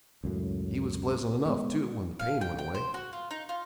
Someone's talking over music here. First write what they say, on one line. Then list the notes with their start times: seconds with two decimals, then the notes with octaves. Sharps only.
He was pleasant enough, too, when the pain went away.
0.24 C#2 F#2 A2
1.46 G#3 A3 B3
2.19 F5
2.41 G5
2.59 G5
2.74 C5
2.94 F#4
3.13 F4
3.31 D#4
3.49 F4